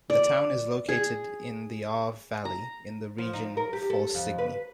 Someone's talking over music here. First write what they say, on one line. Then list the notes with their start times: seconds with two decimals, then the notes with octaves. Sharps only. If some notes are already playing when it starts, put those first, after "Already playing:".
The town is located in the Arve Valley, in the region Faucigny.
0.10 D5
0.89 G#4
2.45 A#5
3.18 F3
3.33 D#4
3.57 A#4
3.73 G4
3.90 A4
4.15 F2
4.38 B4